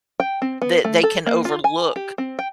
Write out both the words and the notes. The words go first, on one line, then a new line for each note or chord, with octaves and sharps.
that they can overlook,
G5
C4
B3
A3
A4
A#3
F4
G#5
G4
C4
G5